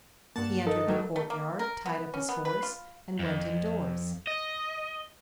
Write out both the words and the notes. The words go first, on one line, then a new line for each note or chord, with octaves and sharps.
He entered the courtyard, tied up his horse, and went indoors.
G2 A#3 F#5 A5
D#4 A4 A#4 D#5
F#3 G3 A3
A3
A#3
A#4
B3
C#4
B3
B4
F4
F2
D#5